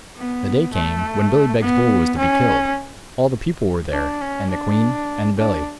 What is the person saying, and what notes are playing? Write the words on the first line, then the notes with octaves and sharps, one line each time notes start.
The day came, when Billy Beg's bull was to be killed; all the people were there, and the queen, and Billy.
B3
A3
B3
C#4
D4
C#4
D4
D4